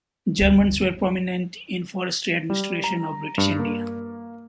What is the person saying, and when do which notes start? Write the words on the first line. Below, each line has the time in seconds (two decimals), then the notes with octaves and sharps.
Germans were prominent in the forestry administration of British India.
0.39 G1 D2
2.50 G3
2.84 A#5
3.38 G2
3.59 A#3